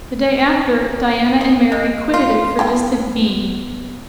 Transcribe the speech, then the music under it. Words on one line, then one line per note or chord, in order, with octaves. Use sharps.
The day after, Diana and Mary quitted it for distant B-.
G#4
G#3
F4
B3 E4 A4 G5